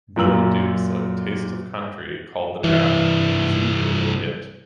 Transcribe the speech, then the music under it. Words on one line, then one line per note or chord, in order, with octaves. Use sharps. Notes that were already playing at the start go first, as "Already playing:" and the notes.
Billy Dukes of "Taste of Country" called the track an "easy radio hit".
F#2 A#2 A#5 E6 F#7
C2 G2 E3